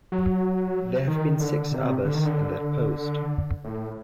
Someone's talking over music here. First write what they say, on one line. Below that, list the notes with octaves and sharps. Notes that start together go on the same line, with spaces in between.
There have been six others in that post.
F#3
D#3
D3
C3
D3
D#3
D3
A2